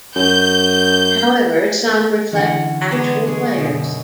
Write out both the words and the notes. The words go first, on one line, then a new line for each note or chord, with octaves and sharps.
However, some reflect actual players.
F#2 G6
D3 E3 C#4 F#5
G#3 B3 D4
F#3 G#3 G#4
F#2 B2 D3